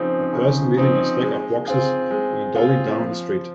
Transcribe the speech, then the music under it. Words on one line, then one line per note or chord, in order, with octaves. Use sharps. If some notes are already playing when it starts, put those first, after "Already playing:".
A person wheeling a stack of boxes on a dolly down a street.
Already playing: C#3 F3 C4 D#4
C#3
F3 C4 D#4
G#3
C4 F4 G#4
G#3
C4 F4 G#4
F3